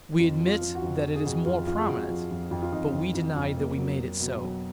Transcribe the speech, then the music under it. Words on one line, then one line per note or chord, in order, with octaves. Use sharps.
We admit that it is more prominent, but we deny that we made it so.
F2 F4
F3
F4
F3
F#4
F2
F3
G#4
F2 F#4
F2 F4
F3 F4
G#4
F2 F#4
F3
F2
F2
F4
F2 D#4
F2
F2
F2
A#3
F#3
F#3
B2
F#3